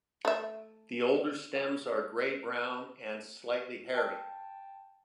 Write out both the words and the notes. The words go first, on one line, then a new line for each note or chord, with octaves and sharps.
The older stems are grey brown and slightly hairy.
A3 E5
G5 A5